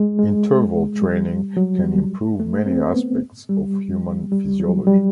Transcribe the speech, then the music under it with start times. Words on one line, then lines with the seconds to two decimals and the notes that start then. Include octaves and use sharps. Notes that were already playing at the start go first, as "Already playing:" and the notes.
Interval training can improve many aspects of human physiology.
Already playing: G#3
0.19 G#3
1.02 G3
1.57 F#3
1.84 G3
2.40 A3
2.66 C4
2.94 B3
3.49 G3
4.32 G3
4.60 F#3
4.87 G3